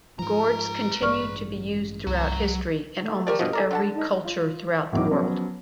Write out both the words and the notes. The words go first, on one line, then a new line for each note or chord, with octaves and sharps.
Gourds continued to be used throughout history, in almost every culture throughout the world.
G#2 F3 B4 A#5
A1 G2 G#3 D5 C#6 F6
C2 F#3
A3
A3 G4 A#4 D5
G2 B2 F3 D#5
A4 A#4 D5 G#5
D3 F#5 A5
D#4
F4
A1 E2 D#3 F#3 E4 D6
F3 F#3 B3 C#4